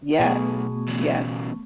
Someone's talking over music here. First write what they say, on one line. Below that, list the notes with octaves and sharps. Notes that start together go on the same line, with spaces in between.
Yes, ye
B1 B2 A3 B3 G#4 C#6
E2 C#3